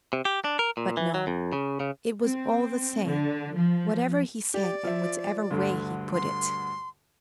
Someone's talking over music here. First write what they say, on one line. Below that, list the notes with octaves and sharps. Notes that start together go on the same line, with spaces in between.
But no! it was all the same, whatever he said and whichever way he put it.
C3
G4
D4
A#4
A#2
E3
F#3
F2
C#3
C#3
C4
D3
F3
G4 D5
F3 E5
D2 G2 D3
C6